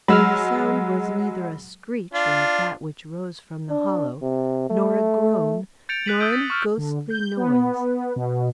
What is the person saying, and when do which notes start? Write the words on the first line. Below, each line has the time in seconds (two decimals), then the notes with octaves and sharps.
For the sound was neither a screech like that which rose from the hollow, nor a groan, nor any ghostly noise.
0.08 F#3 G#3 B5 E6 F6
2.14 D4 F4
3.70 D4
4.22 C3
4.70 A3
5.89 G6 A6 C#7 D7 F7
6.06 F#6 A6 B6 D#7 F#7
6.20 D#6 E6 F#6 G6 D7 D#7
6.32 A6 B6
6.50 C#6 F6
6.77 D3
7.10 G6
7.37 B3
8.16 B2